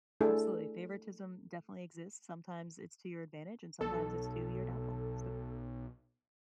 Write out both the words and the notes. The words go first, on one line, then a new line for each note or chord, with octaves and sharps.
Absolutely, favoritism definitely exists, sometimes it's to your advantage, and sometimes it's to your downfall, so.
A3 D4 E4 G#4 A4
B1 A4